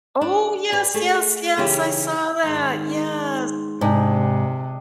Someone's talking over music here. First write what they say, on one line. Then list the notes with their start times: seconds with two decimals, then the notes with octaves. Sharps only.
Oh, yes, yes, yes, I saw that, yes.
0.21 D4
0.72 B4 D5
0.94 A3 G#4
1.57 C#3 E3 C#4 D#4 E4 G4
2.44 G#2 D#3 C6
3.81 G#2 C3 D4 D#5 G5